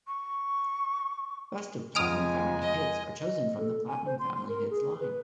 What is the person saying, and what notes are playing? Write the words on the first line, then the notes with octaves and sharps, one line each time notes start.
Best of Platinum Family Hits are chosen from the Platinum Family Hits line.
C#6
F2 G#3 G#5 D#6 F6 D7
D#5
D#5
A4
G#5
C5
C6
C6
A#4
G#4
B4